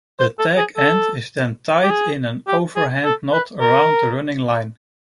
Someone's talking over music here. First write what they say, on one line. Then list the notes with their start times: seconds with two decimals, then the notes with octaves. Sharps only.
The tag end is then tied in an overhand knot around the running line.
0.20 C5
0.39 A4
0.58 G#4
0.77 A4
1.83 G4
1.91 G#4
2.48 G4
2.76 G#4
3.05 A4
3.33 B4
3.61 A#4